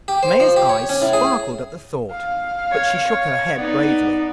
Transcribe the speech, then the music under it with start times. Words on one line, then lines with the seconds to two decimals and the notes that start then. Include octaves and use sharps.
Maia's eyes sparkled at the thought, but she shook her head bravely.
0.08 G4
0.23 C5
0.40 F3
0.56 G4
0.69 C#5
0.89 C#4
1.02 A2
1.13 G#4
2.11 F5
2.71 C#5
3.06 C#5
3.56 B3 D#4 D5